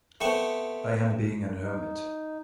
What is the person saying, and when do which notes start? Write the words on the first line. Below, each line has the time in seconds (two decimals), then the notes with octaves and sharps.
I am being an hermit.
0.21 A3 B3 C4 C#6
1.63 D#4